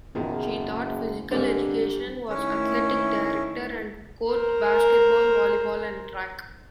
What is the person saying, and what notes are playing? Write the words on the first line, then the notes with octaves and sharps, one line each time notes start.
She taught physical education, was athletic director and coached basketball, volleyball and track.
F#1 E2 A#2 D#3 G#4
G#2 D3 G3 A#3 C4 G4
D#3 A3 C#4 E4
A#4 C5